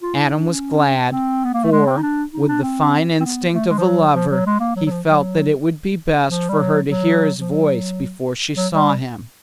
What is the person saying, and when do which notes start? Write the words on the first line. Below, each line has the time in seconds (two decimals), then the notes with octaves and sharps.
Adam was glad, for, with the fine instinct of a lover, he felt that it would be best for her to hear his voice before she saw him.
0.02 F4
0.15 E4
0.26 D#4
0.38 D4
0.50 C#4
1.11 C4
1.45 B3
1.54 A#3
1.63 A3
1.72 G#3
1.87 C4
1.97 D#4
2.03 D4
2.33 D#4
2.49 D4
2.63 C4
3.20 C4
3.25 B3
3.54 A3
3.70 G#3
3.78 F3
3.85 F#3
4.15 F3
4.31 F#3
4.46 G#3
4.61 A#3
4.76 F#3
4.86 F#3
4.91 F3
5.07 F#3
6.29 F3
6.49 G3
6.59 F#3
6.90 F#3
7.40 F3
7.51 F#3
8.57 F#3
8.73 G3